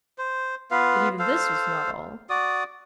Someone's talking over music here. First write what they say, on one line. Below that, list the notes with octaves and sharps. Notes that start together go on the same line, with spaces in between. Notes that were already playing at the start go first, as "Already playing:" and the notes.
But even this was not all.
C5
B3 F4 B4 F5
A4 C5 F5
F#4 D5 D#6